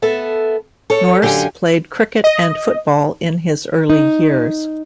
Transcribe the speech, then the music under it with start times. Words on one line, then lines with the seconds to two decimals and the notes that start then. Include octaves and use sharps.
Nourse played cricket and football in his early years.
0.02 B3 A4 E5
0.90 A4 C#5
1.22 F#2 D3 G4 F5 G5 G#5
2.24 D#5
3.90 D#4